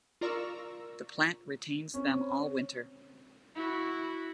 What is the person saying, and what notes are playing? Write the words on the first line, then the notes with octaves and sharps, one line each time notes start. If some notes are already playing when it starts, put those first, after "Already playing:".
The plant retains them all winter.
F4 A#4 D5 A#5 C#6 E6
C4 C#4
E4 F#4